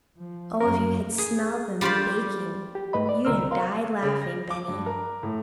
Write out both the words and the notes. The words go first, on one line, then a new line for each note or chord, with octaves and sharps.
Oh, if you had smelled them baking you'd have died laughing, Benny.
F3
F#2 C#4 A#4
G#4
G3 F4 G4 C5 D5
G4
G#2 A3 B4 D#5 B5
D5
C2 D3 A#4 C5 E6 F6
A#4 F5 C6
C#3
A#6
D6
G2
A#4
A2